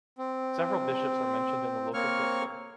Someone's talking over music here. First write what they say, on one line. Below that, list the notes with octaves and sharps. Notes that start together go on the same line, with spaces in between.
Several bishops are mentioned in the local folklore.
C4
A#3 C4 C#5 C#6 F6